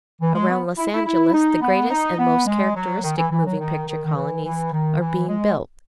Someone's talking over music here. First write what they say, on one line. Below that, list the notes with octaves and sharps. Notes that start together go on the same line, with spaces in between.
Around Los Angeles the greatest and most characteristic moving picture colonies are being built.
E3
G#3
B3
E4
E4
E4
D#4
B3
D#4
B3
G#3
F#3
D#3
E3
E3
F#3
D#3
D#3
D#3
E3
E3
D#3
E3
G#3